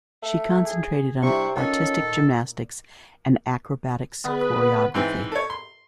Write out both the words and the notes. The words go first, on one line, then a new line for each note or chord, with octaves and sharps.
She concentrated on artistic gymnastics and acrobatics choreography.
A3
G#4
C3 G3 D4 E4 C#6
D#3 C#4 F4 A4 C#5
A#2
D3 B3 G#4 B4
G#2 E3 C4 G5
A4 C#5
C6